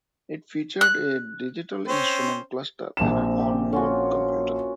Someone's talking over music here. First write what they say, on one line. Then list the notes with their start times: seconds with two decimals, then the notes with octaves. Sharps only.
It featured a digital instrument cluster and an onboard computer.
0.81 F#6
1.88 C4 C#4 C5
2.97 A#1 C3 A#3 D6 E7
3.40 G4
3.73 C#4 F4 F#4